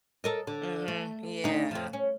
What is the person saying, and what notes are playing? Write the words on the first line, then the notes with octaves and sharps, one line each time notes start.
Mhm, yeah.
A4 A#4 D#5
D3
A3
D2 D#4
F2 F3
C#4